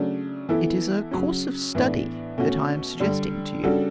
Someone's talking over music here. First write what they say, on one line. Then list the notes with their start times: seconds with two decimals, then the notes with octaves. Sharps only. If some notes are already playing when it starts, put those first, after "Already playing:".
It is a course of study that I am suggesting to you.
Already playing: C#3 F#3 A3 D4
0.49 E3 B3 E4 A4
1.11 C#3 F#3 C#4
1.75 A2 E3 B3 D4
2.38 B2 A3 C#4 F#4
3.00 D3 G3 D4
3.63 C#3 G3 D4 F#4 A4